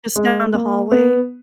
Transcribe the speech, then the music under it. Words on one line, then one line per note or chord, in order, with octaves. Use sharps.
just down the hallway.
G#3
A#3
B3